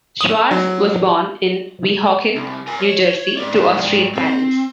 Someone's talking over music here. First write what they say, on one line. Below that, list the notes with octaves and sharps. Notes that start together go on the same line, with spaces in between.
Schwarz was born in Weehawken, New Jersey, to Austrian parents.
D#6
F#3
C2
A#4 G#5
C#5
G#2 D5
C4